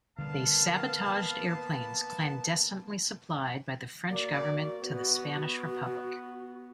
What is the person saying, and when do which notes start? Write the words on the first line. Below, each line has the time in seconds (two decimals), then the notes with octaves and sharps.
They sabotaged airplanes clandestinely supplied by the French government to the Spanish Republic.
0.19 D3 G3 A#3 B3 F5 A5
4.11 A#3 F#4 A#4 D5
4.82 B3